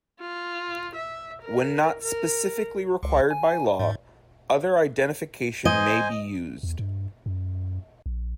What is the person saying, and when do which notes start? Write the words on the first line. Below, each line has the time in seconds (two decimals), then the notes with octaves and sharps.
When not specifically required by law, other identification may be used.
0.20 F4
0.95 E5
1.42 A#4
2.01 A#4
3.03 C#2
3.31 G#5
3.79 G#2
5.65 C5 D#5 G#5
6.63 E2
6.79 G2
7.26 F#2
8.06 A#1